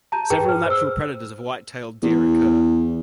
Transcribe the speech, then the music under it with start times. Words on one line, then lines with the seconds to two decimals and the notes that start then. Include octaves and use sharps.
Several natural predators of white-tailed deer occur.
0.12 A5 A#5 G6
0.30 G#4 B4 G5
0.49 F6
0.66 C5 E6
2.02 E2